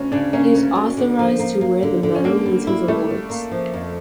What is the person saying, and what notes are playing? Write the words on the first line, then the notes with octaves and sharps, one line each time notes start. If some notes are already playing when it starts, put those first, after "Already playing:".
He is authorized to wear the medal with his awards.
Already playing: D2 C#4
C#3 D4
A#3 C#4
D2
D2
D3
F3
A#3
A#3
D3
D3
C#4
D3 A#3
G3
E4
G3 A3
G3
A#3
F3
F2